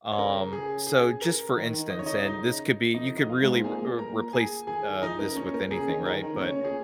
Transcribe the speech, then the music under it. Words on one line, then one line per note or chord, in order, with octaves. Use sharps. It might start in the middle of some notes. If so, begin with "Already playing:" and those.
Um, so, just, for instance, and this could be you could really w uh, replace, uh, this with anything, right, but
C#5
C#3 A#4
G#4
G#4
A#4
D#3
D#3
D#5
C#5
C#3 D#4 D#5
D#4 D#5
F2 D#4 D#5
F2 D#5
F4 F5
G#2
A#2 G#4 G#5
A#2
A#4 A#5
A#2
G#4 G#5
D#3 G#4 G#5
F3 D#4 D#5
C#3 A#4
A#2 C#4 C#5
A#2 A#4
C#3 G#4
D#3
D#3 A#4
D#3
A#2
C#3 C#4 C#5
A#2
G#4